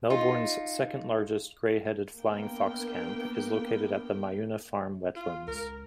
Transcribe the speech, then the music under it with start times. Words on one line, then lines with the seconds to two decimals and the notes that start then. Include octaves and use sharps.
Melbourne's second largest Grey-headed flying fox camp is located at the Myuna Farm wetlands.
0.10 D#4 F4
2.20 A#3 B3 D4 A#4 G5
5.16 F4
5.47 C#2 A#4